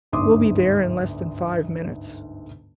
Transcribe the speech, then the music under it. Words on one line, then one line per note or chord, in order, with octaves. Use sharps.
"We'll be there in less than five minutes."
G1 D2 G#2 C6 D6 D#6